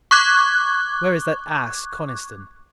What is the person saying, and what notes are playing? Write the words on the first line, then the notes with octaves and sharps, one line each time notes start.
Where is that ass, Coniston?
C#6 D6 F#6 G#6